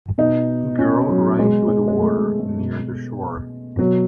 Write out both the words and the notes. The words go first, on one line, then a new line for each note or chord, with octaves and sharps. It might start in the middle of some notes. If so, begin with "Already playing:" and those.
Girl running through the water near the shore.
B2 D#4
C#4
F#3
B2 G#3
G#3
G#3
A3
G#3
G#3
B2
B2 F#3